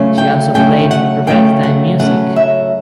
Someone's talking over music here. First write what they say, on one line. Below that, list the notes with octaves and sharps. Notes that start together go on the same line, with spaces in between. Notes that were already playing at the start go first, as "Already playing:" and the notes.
She also played ragtime music.
Already playing: C#3 F#3 A3 C#4
G5
C#3 F#3 A3 C#4 G5
F#5
C#3 F#3 A3 C#4 G5
F#5
C#3 F#3 A3 C#4 F#5
E5